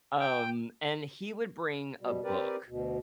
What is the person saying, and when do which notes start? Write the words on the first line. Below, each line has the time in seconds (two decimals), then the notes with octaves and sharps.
Um, and he would bring a book.
0.20 G5
2.01 B2 G3
2.24 C4 G4 A#4 B4 D5
2.68 D2 B2